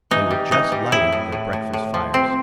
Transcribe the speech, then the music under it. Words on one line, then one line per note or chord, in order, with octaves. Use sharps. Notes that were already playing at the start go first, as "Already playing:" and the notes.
They were just lighting their breakfast fires.
E3 D#4
G3
E3 D#4
G3
A2 E4
A2
A2
A2
A2
F3
C4